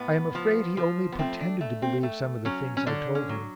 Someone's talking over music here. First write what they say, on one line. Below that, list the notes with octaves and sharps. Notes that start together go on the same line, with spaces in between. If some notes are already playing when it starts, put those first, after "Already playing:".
I am afraid he only pretended to believe some of the things I told him.
Already playing: A2 B3
F3
F3
B3
A3 C4
D4
A3
C4
A3
F#3 C#4
C#4
D3 D4
C#4
F#3